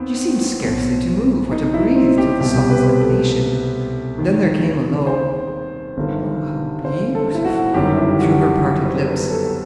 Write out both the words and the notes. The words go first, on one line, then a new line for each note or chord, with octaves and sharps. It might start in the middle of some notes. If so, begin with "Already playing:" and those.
She seemed scarcely to move or to breathe till the song's completion; then there came a low "Oh, how beautiful!" through her parted lips.
Already playing: D#2 D#3 B3 C4
B1 B2
D#4
E4
C4
G4
C2 B2 G4
B4
C5
B4
A4
B4
D#2 D#3
C5
G1 G2 D#3
C5
A4
E4
F#4
G1 F#2 D#3 G4
E4
F#4
G4
C5
B4
A4
A4